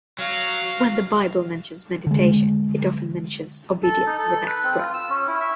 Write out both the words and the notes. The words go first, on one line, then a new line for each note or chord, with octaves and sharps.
When the Bible mentions meditation, it often mentions obedience in the next breath.
F#3 F5
D3 G#3
A4
D#4
A4
B4
C4
F4
E6
C#4
E4
E5